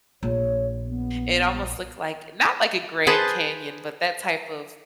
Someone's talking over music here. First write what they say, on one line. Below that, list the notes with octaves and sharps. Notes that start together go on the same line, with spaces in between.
it almost looked like not like a Grand Canyon, but that type of,
A#1 C#5
B3
G#4 B4 C5 A5